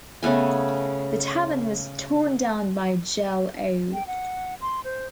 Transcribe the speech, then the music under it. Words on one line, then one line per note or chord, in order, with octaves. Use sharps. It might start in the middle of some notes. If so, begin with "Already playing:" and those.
The Tavern was torn down by Jell-O.
C#3 A3 B3 G#5
G5
F#5
C6
C5